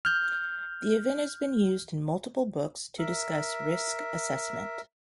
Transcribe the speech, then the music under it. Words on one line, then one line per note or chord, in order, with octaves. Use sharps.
The event has been used in multiple books to discuss risk assessment.
F6 G6
A#4 E5